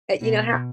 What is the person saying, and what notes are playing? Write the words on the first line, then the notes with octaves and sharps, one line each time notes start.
uh, you know how
B2